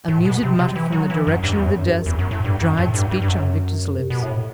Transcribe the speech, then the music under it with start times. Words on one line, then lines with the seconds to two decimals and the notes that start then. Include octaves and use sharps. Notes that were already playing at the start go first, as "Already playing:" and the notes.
A muted mutter from the direction of the desk dried speech on Victor's lips.
0.08 A2
0.25 B2
0.43 C3
0.59 C3
0.76 E3
0.92 F#3
1.10 E3
1.27 F#2
1.43 G2
1.51 F#2
1.59 E2
1.68 F#2
1.86 G2
1.93 F#2
2.06 E2
2.19 F#2
2.31 A2
2.45 G2
2.61 F#2
2.77 A2
2.94 G2
3.11 G2
3.22 G2
3.28 F#2
3.99 C3
4.10 B2
4.22 A2